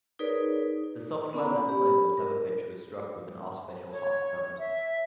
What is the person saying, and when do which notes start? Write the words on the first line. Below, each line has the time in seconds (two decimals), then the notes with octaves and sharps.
The software then plays whatever pitch was struck with an artificial harp sound.
0.19 D#4 G#4 A#4 B4 C#5 D5
0.84 D#4
1.33 B3 C#4 D5 G#5 A#5 B5
1.69 G4 B5
2.17 A#4
3.92 C#5
4.59 E5